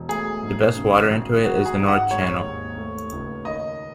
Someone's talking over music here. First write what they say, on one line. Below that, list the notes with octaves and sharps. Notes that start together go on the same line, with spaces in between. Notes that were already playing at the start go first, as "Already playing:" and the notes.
The best water into it is the North channel.
Already playing: E1
A3 G#4
G#2
C#3
G#1
G#3 F#4
G#4
G#2
F#5
G#3 C#5
D#2
A3
C#2
D#3 D#5